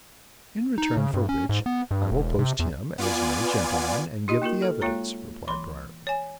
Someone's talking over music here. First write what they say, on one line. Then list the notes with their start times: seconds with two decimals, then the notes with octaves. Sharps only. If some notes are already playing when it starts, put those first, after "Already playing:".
"In return for which I will post him as no gentleman, and give the evidence," replied Briarly.
0.78 D#4
0.97 C#3
1.14 G2
1.29 C#4
1.49 G#2
1.66 B3
1.91 G2
2.11 E1
2.39 C3
2.59 E2
2.98 B3 F4 D5 G#5
4.28 D#4 G4 D#5
4.42 A#3 F4 F#4 A#4
4.62 A4
4.81 G#3 A#3 F4 C#5 A#5
5.48 E3 B5 C6
6.07 C#5 G#5